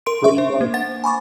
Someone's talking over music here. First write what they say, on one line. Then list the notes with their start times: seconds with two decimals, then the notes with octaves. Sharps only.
Pretty much
0.06 A#4 C6 D7
0.24 E5 C#6
0.38 D4 C5
0.61 A#3
0.74 C5 F#5 A6
1.04 G#5 B5 C#6 D6